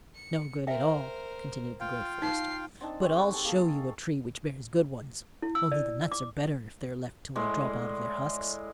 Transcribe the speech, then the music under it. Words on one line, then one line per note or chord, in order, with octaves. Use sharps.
"No good at all," continued the great forester; "but I'll show you a tree which bears good ones, only the nuts are better if they're left till they drop out of their husks."
C#7
A#4 C5 E5 F5 G5
F4 F5 G5
D#4 C7
C4 D4 D#4 A5
G#3 C4 C#5
F#5
G4 A4 G#5
A#3 G#4 A4 F5
E4
E6
D5
D6
A2 G#3 D5